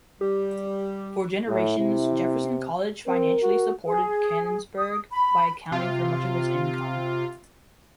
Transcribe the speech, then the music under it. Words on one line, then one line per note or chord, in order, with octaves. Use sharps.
For generations, Jefferson College financially supported Canonsburg by accounting for much of its income.
G3 G4
A2 E4
C3
C4 A#4
F#4
G#4
D#6
B5
C3 F4